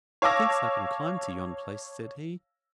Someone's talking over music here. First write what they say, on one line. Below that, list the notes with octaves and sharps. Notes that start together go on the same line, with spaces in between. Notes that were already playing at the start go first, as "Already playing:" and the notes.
"Methinks I can climb to yon place," said he.
C#5 F5 A5 D6 E6 A#6